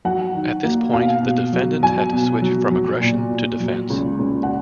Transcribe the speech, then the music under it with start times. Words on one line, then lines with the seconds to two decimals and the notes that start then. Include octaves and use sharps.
At this point, the defendant had to switch from aggression to defence.
0.05 F#3 F#5
0.34 D#3
0.64 A#3
0.93 B2 F5
1.23 B2
1.53 F#3
1.82 F#3 G#5
2.13 B2
2.42 F#3
2.71 F#3
3.01 A#2
3.31 A#2
3.60 F#3
3.90 C#2
4.19 C#2
4.43 F#5